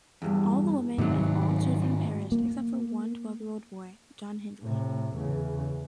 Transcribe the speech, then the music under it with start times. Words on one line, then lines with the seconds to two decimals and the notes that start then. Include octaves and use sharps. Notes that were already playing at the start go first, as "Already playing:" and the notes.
All women and all children perished except for one twelve-year-old boy, John Hindley.
0.22 E2 G2
0.98 G#2 C3 D#3 F#3 A3
2.32 A#3
4.63 A2 C3
5.16 E2 C#3